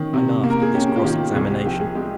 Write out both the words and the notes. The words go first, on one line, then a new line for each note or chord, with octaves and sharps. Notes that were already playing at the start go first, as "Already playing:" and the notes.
I laughed at this cross-examination.
Already playing: D#3 C#4
C3
A#3
A#4
G#4
C#4 G4
F4
D#3 G4
C2 G#4
G4
F3 G4
G#4
G#3 G4